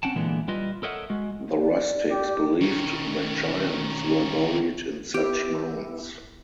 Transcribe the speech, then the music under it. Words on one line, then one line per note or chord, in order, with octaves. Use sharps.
The rustics believed that giants were buried in such mounds.
C4 C#4 F#5 G5 A5
A#2 D3 E3 G#3 B3
G3 E4 F4 B4 D#5
A4 A#4 C#5 D#5 E5 F#5
G#3 F#4
D5
G4
D#3 C#4
B3 E4 G4